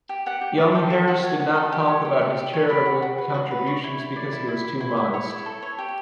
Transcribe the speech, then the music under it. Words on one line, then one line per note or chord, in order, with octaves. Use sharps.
Young Harris did not talk about his charitable contributions because he was too modest.
G4
G4 F#5
G4
D5
A4 G5
A4
F#4
C#5
F#4
A4
G4
C#5
G4
G4
G4
C#5
D5 B5
F#4
F#4
B4
F#4
B4
D5 C#6
E4
E4
D5
E4
E4
E4
E4
E4
C#5 C#6
E4
A4
C#5
G4